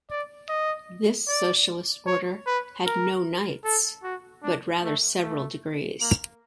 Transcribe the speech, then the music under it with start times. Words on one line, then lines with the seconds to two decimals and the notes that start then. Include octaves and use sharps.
This socialist order had no knights but rather several degrees.
0.10 D5
0.49 D#5
1.28 D5
2.07 C#5
2.47 B4
2.86 A#4
3.64 A4
4.04 F#4
4.43 D4
4.83 A3
5.23 A3
6.01 A#3